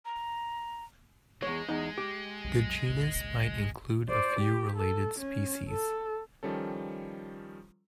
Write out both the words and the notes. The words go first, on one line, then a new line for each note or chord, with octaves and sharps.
The genus might include a few related species.
A#5
E2 G#3 C#5
E2 D#4
G4
B1 F2 F#3
G#1 C#2 A#2
C5 D5
G4
A4
C#4
A4
D#3 F3 G3 C#4 A4